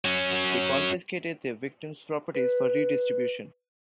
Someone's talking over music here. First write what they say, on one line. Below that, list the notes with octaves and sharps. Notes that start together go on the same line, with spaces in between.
They confiscated their victims' properties for redistribution.
F#3 C#4
B4